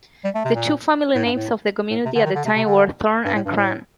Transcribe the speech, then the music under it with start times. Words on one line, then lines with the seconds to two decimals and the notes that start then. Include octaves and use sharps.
The two family names of the community at the time were Thorne and Crann.
0.24 G3
0.35 A3
0.45 C3
0.55 A#2
1.15 A2
1.25 G2
1.35 A2
1.90 A2
2.05 C3
2.15 D3
2.25 D#3
2.35 D3
2.45 C3
2.56 C3
2.65 D3
3.25 G2
3.35 A2
3.45 G2
3.55 A2